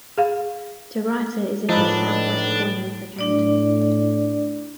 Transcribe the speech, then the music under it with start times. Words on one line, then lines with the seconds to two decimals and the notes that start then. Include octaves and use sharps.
DeRuyter is in the southwest corner of the county.
0.18 G#4 F5
1.69 A2 F3 D4 D#4 A4 B4
3.19 A2 D4 D5